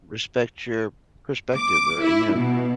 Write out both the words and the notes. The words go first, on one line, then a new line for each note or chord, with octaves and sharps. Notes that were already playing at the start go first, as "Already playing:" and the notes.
respect your perspective or, you know,
D6
E4
B2